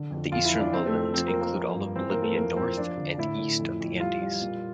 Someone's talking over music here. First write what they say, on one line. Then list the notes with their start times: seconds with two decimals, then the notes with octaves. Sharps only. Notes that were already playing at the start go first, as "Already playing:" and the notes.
The eastern lowlands include all of Bolivia north and east of the Andes.
Already playing: D3
0.11 F2
0.32 F2 F4
0.45 E4
0.52 E3
0.59 D4
0.73 F2 C4
0.86 A3
0.93 F2
1.14 F3 C4
1.27 A#3
1.35 F3
1.41 A#3
1.55 F3
1.74 G2
1.96 E3 C4
2.09 A#3
2.17 E3
2.22 A3
2.36 F2 A#3
2.56 F3 C4
2.77 F3 D4
2.97 D3
3.18 A2 E4
3.38 A2
3.59 F2
3.80 F2
4.00 G3 F4
4.21 G3
4.41 A#2